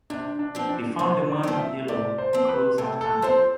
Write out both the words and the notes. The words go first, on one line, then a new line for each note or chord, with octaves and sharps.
He found the man in yellow close at hand.
C3 D4
D4
F3 C4
D4
C3 C5
D5
F3 C4
E5
C3 D5
C5
F3 C4
B4
C3 A4
A4
F3 C4 C5